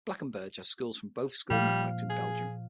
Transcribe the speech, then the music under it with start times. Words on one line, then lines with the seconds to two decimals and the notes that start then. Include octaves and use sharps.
Blankenberge has schools from both school networks in Belgium.
1.50 A#2 F3 G3 F5
2.10 G#4